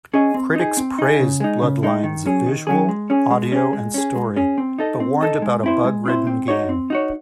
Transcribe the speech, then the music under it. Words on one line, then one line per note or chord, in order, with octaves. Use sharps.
Critics praised "Bloodlines" visual, audio and story but warned about a bug-ridden game.
C#4 G#4 D#5
C4
D#4 G#4
C4
D#4 G#4
C#3
G#3 D#4
C#3
G#3 D#4
D#3
F#3 C#4 G#4
D#3
F#3 C#4 G#4
G#3
C#4 G#4
G#3
C#4 G#4
G#3
C#4 G#4
G#3
C#4 G#4
C4
D#4 A4 D#5
C4
D#4 A4 D#5
G#3
C4 E4 C5
G#3
C4 E4 C5
C4
D#4 F#4 C#5
C4
D#4 F#4 C#5